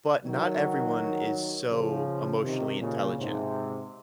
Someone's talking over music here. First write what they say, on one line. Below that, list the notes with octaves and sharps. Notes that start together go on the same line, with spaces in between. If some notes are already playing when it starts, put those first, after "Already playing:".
But not everyone is so emotionally intelligent.
D#3 F#3
C#3 F3
C3 D#3
A#2 C#3
G#2 C3